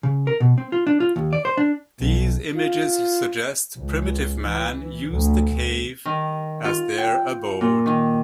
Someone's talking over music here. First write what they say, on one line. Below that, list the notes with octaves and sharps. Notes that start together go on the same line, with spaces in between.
These images suggest primitive man used the cave as their abode.
C#3
A#4
B2
C4
F4
D4
F4
D#2
D5
C5
D4
B1
F4
C#2
E3
D2
D#3
F4
G5
A#2
D#3